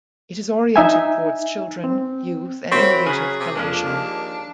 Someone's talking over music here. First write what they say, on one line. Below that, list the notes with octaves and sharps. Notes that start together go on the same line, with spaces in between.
It is oriented towards children, youth and innovative television.
D#4 E5 G#5
C4
C4 E4 F#4 A#4 C5 C#5 B5
C#3 F#3 C#4 G#4
C3
F2 F3 G#3 A#3 D4
D#2